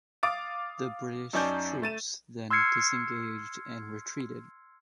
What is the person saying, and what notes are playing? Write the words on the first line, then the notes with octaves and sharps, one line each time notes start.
The British troops then disengaged and retreated.
F5 D6 D#6 A6 D7
F#2 C#4 D#4 D5 A5 G6
A3 A6 D#7 E7
C6 E6 F6 G#6 C7 C#7